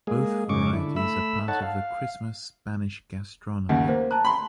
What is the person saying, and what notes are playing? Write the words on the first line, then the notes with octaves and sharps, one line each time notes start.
Both varieties are part of the Christmas Spanish gastronomy.
G#3 A#3 G#4
G#2 C#3 G#3 C#6 D6
D3 E4
A3 B5 E6
D#4 A4 C#5 F#5 A5
F5
D#2 C#3 F#5
A#3 C5
A5 A#5 F#6
B5 C6